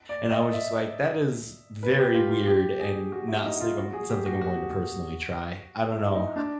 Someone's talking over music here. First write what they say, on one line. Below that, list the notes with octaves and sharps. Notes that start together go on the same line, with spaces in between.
and I was just like, "That is very weird and not sigm something I want to personally try." I don't know h
D5
D#5
E5
B4
G4
F4
F4
G4
G#4
F#4
E4
D#4
F4
F#4
G#4
G4
F#4
F#4
E4
D#4
D4